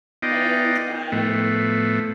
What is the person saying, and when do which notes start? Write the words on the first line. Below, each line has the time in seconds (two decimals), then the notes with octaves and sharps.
And I
0.22 B3 D#4 F4 D5 D#5 G5
1.12 A2 F3 A3 B3